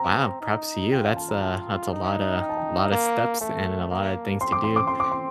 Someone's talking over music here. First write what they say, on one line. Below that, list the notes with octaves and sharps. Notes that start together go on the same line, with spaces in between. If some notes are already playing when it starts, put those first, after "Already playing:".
Wow, props to you, that's, uh, that's a lotta a lotta steps, and a lotta things to do.
Already playing: C4 A#5
D#4
F4 G5
F5
A5
A#5
A5
D#4
G5
A5
G5
A#3
A3 A5
A#3
C4 C6
D6
C6
D6
C6
D6
C6